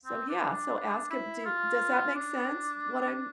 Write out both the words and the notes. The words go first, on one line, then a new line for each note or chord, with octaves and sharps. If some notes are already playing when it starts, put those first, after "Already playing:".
So, yeah, so ask him, do Does that make sense, what I'm
C4
D4
D4
D4
E4
F4
D4